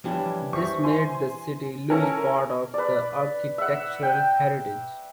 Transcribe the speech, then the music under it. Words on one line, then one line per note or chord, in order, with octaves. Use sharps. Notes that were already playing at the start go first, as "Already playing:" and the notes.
This made the city lose part of the architectural heritage.
E3 F3 G3 D4 E4 C#5
G4 C5 E5 C#6
G#5 C6
C#4 E4 A4 A#4
B4 D5
E5 F#5
G5